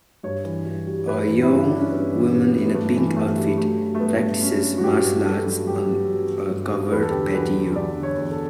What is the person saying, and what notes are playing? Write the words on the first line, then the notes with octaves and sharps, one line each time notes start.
A young woman in a pink outfit practices martial arts on a covered patio.
G2 C#5
E3
G2
G3
G2 B4
E3
E4
G2 D4
G3 D4
C#4
G2 B3
E3
G2 B3
G3
B3
G2 A3
E3
G2 A3
G3
F#3 A3
F#3
A3
G2 B3
G2
F#3 C#4
F#3
F#4
G2 G4
G2
F#3 A4
F#3
G2 G4
G2
F#3
F#3
G2
G2
E2 B4
A4
D3 G4
A4
E2 B4
F#3
E2 D5
D3
C#5
E2
A4